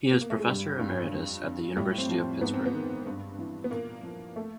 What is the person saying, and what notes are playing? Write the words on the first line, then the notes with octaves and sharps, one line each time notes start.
He is Professor Emeritus at the University of Pittsburgh.
B3
A#3
A3
G#3
G2 G3
G2
F2
F2
A2 G3
C4
F3
C4
G#2 B3
C4
B3
D#3
G2
E3
B3
A#2 A#3
F3
A3